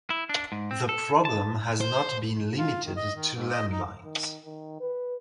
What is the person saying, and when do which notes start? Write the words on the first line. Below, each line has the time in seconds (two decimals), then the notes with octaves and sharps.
The problem has not been limited to landlines.
0.10 E4
0.29 D4
0.52 G#2
0.71 C4
0.89 A4
1.25 A5
1.81 C5
2.58 F4
2.85 D#3
2.97 D#5
3.16 D#3
3.35 G#2
3.52 D#5
3.71 D#4
4.05 D#3
4.45 D#3
4.81 B4